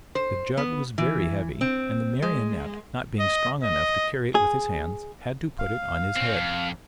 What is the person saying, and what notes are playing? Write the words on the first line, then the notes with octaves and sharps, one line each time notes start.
The jug was very heavy, and the Marionette, not being strong enough to carry it with his hands, had to put it on his head.
C5
B3
E3
C4
G#3
D#5
D#5
G#4
F5
C4 C#4
F2